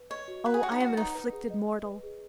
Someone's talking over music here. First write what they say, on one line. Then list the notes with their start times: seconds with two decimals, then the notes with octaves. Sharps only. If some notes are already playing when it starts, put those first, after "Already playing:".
Oh, I am an afflicted mortal.
Already playing: B4
0.10 C#5 D#5
0.28 F#4
0.45 B4 F#5
0.54 G#4
0.63 F#4 C#5
0.72 D#4
0.80 F#4 F#5
0.97 D#4 B4
1.15 B4
1.32 G#4
1.50 D#5
1.68 G#4
1.85 B4
2.03 G#4